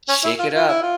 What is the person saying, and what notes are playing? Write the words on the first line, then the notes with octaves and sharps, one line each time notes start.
Shake it up.
C#4
E4
F4
F4
E4
F4